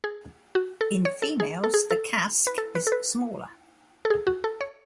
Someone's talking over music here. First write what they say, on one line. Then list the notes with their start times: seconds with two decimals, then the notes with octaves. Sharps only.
In females, the casque is smaller.
0.04 G#4
0.55 F#4
0.81 A4
1.05 C#5
1.22 A4
1.40 G#4
1.64 A4
1.74 G#4
1.91 A4
2.47 B4
2.58 A4
2.75 B4
2.87 A4
2.92 B4
4.05 A4
4.10 G#4
4.27 F#4
4.44 A4
4.61 C#5